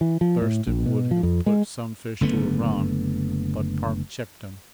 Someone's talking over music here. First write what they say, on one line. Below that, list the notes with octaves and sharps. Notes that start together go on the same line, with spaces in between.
Thurston would have put Sunfish to a run, but Park checked him.
E3
F3
A2
A#1
B2
F3
F2
G#3
F#1 D3 A3 B3